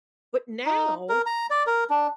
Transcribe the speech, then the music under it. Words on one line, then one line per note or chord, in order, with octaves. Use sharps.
But now,
D#4
A#4
A#5
D5
A#4
D4